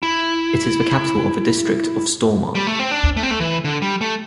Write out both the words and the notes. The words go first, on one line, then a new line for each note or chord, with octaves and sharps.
It is the capital of the district of Stormarn.
E4
G3
A3
C4
D4
A3
C4
A3
E3
D3
G3
A3